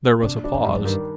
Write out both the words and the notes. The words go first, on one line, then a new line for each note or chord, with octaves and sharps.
There was a pause.
C3 D4
A#2
G2 D4
F2
G2 G3
F2
G2 D#3